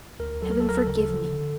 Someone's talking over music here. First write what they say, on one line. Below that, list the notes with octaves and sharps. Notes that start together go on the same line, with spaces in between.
Heaven forgive me!'
D2 A#4
F#3 A4
A#4
A4
D2 A#4
A4
C#3 A#4
A4
F3
D3